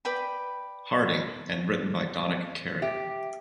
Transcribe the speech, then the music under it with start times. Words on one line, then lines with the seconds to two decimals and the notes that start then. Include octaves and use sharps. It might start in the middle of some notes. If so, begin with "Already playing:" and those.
Harding and written by Donick Cary.
0.05 B4 D5 G5 B5
2.82 G4 E5